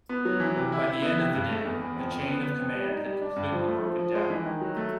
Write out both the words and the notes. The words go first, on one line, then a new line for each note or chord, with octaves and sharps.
By the end of the day, the chain of command had completely broken down.
B3
F#3
E3
C3
E4
E4
B3
C3
G2
A3
E2
E2
F2
F2
B3
B3
F2
G3
D#4
G3
D4
G2
F3
A3
F3
F3
G#3
E3
D#3
F#3
A3